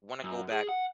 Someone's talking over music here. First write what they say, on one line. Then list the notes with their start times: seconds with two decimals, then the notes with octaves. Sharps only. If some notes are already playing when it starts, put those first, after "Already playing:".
wanna go back
0.24 F#2
0.52 G#4
0.69 F#5